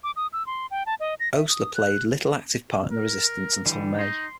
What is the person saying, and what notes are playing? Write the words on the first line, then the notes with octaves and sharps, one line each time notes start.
Oastler played little active part in the resistance until May.
D6
D#6
E6
C6
G5
A5
D#5
A#6
E5
D#6
F#6
A#4
D3 E3 G3
D#4 C6